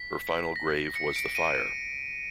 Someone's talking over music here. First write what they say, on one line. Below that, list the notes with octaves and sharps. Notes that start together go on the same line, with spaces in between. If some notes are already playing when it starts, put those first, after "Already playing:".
Her final grave was the fire.
Already playing: B6
A#6
C#7
D7
D#7